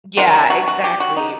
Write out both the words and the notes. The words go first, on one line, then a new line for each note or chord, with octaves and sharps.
Yeah, exactly.
C3 D#3 F#3 F4
E4
F#4
F#4
G4
F#4
D#4